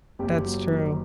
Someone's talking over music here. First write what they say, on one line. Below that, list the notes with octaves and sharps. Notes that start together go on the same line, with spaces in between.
That's true.
F#1 G4
F#3
D#3